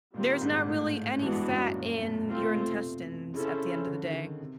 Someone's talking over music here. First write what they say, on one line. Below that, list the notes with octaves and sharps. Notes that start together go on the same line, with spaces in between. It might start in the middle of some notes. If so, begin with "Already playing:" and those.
There's not really any fat in your intestines at the end of the day.
A#2 D#3 G3 C4 F4
G#2
G#2
A2
G2 E3 G#3 B3 D4 F#4
F#2
A#2
B2
C3 A3 C4 F4 A4
B2
C3
C#3 C#4 E4 A4 C5
D3
D#3
D3
C3